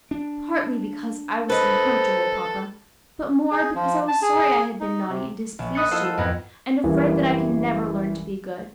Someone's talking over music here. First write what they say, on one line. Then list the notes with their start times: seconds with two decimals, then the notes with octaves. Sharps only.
"Partly because I was uncomfortable, papa, but more because I was sorry I had been naughty, and displeased you, and afraid that I can never learn to be good."
0.11 D4
1.50 A4 B4 C5 D#5
3.51 G#4
3.75 F3
4.08 A5
4.22 G#4
4.80 D#4
5.09 C3
5.59 A#1
5.75 D#5 B5 D#6 F#6 A6 C#7
5.91 E4 F4 A4 C5 D#5 F#5
6.04 A4
6.17 F2 G#2 B3 B4 A#5
6.84 F#1 E3 G3